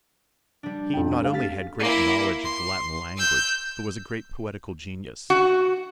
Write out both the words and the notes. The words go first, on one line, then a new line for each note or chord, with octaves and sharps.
He not only had great knowledge of the Latin language, but was a great poetical genius.
G3 D4
F2 D#4 G5
A3 C#4 F5
G4 F6 A6 B6
A#3 E4
C6
E6 G6
F#4